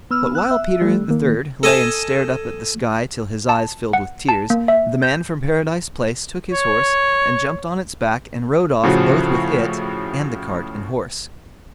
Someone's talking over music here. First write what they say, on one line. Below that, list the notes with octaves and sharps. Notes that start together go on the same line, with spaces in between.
But while Peter the third lay and stared up at the sky till his eyes filled with tears, the man from Paradise Place took his horse and jumped on its back and rode off both with it and the cart and horse.
B3 E6 F6
E6 F#6
E5
G3 A3
D#3 A#3
A4 D#5 G#5 A5
A5
F#5
A5
A#3
E5
G6
C#5
A2 C#3 F3 F#4